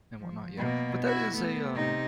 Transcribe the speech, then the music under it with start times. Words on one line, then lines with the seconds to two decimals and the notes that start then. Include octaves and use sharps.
and whatnot, yeah, but that is a, um
0.19 F3
0.57 B2 A#3
1.03 E4 F#4
1.36 A3 B3
1.75 C3 D#4